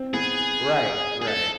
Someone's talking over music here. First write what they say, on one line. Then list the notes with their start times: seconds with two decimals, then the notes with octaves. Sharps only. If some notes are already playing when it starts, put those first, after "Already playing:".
Right, right.
Already playing: C4
0.14 B3 G#4
1.22 G#4
1.28 A3 A4